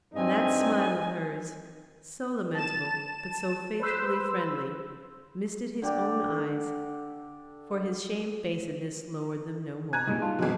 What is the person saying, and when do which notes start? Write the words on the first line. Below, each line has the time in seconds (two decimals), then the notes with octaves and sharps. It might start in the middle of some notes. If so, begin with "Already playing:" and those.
And that smile of hers, so lamentable, but so faithfully friendly, misted his own eyes, for his shamefacedness lowered them no more.
0.14 G2 C4 D#4 D#5 G#5
2.55 A5 E7
3.80 B4 C5 E6
5.82 D3 G4 D5
9.93 G#5 A#5 F#6 G#6
10.07 C2 G2 A#2 G3 G#3 D#4
10.22 F4 A5
10.39 G#1 F2 G#2 B2